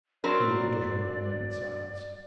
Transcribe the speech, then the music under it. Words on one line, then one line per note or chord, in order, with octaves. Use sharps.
He looked at her a moment in silence.
F#3 C4 A#4 D5